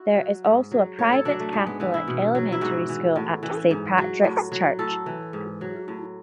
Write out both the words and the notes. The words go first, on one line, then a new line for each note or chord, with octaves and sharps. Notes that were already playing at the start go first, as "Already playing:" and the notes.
There is also a private Catholic elementary school at Saint Patricks Church.
Already playing: E4 F#4
F#3
G#2
F#3
A2 C#5
A4
F#3 D4
A3
G#2 G#3
B3
E3 B3
E4
B2
F#3
E4
G#2 F#4
E3
A2
E3
G#2
F#3
A2
F#3
A2 A4
E3
G#2
F#3
A2